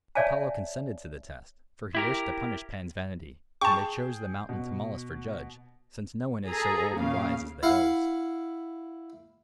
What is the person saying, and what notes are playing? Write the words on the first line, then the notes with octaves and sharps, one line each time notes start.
Apollo consented to the test, for he wished to punish Pan's vanity, and they chose the mountain Tmolus for judge, since no one is so old and wise as the hills.
C#5 D5 E5 F5 G#5 A5
E4 G4 A#4
G#4 G5 A5 C#6
B2
G#4 A4 A#5
A#2 C#3 F5
E4 F5 F#5